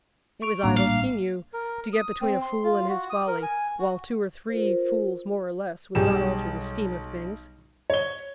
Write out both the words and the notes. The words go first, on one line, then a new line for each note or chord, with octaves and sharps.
It was idle, he knew, to get between a fool and his folly; while two or three fools more or less would not alter the scheme of things.
C#6 D7 F7
A#1 A2 G3 A#3 D4 A#5
F5
A#4
D#6
C4
C6
F4
F#4
D#6
A#4
G#5
F#4
F4 A#4 C5
B1 G3 G#4 E7
C#5 G7